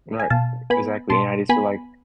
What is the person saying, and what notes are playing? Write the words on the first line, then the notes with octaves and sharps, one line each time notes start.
Right, e exactly, and I just feel, like
G#5
B2 F5 A5
B3 G#5 B5
B2 A5 C6
B3 G#5 B5